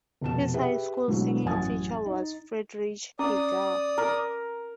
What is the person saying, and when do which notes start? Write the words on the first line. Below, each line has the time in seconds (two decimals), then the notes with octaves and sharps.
His high school singing teacher was Friedrich Hegar.
0.21 F1 B2 A5 E7
0.54 G4 G#4 B4 E5 G5
1.08 G#2 B2 D3 F#3 A3 E4
1.45 A1 F#2 F#5 G#5 D#6 A6
2.06 D#4
3.19 C#4 D5 D#6
3.98 A#4